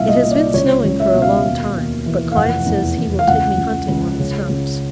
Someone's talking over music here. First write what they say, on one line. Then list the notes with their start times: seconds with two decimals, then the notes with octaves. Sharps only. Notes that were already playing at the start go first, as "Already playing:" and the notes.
It has been snowing for a long time, but Clyde says he will take me hunting when it stops.
Already playing: C2 A#2 E5 F5
0.09 D#5
0.23 A#2
0.31 D5
0.54 C#2 C#5
0.85 C#2
1.00 E5
1.15 B2
1.22 F5
1.45 D#2
1.76 D#2
2.06 E3
2.32 F5
2.36 F1 F#5
2.66 E2
2.98 E2
3.19 F5
3.28 C#2 F#5
3.58 C#2
3.88 C#2
4.19 C#3
4.49 C#2